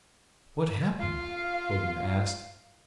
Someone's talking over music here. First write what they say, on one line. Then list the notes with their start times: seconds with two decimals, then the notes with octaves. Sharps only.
"What happened?" Odin asked.
0.99 F4 F5